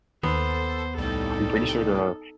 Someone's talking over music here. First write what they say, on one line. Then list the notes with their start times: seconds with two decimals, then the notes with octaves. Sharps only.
I'm pretty sure there are
0.23 D#2 B3 A4 C5
0.97 C2 A2 G3 D#4 A4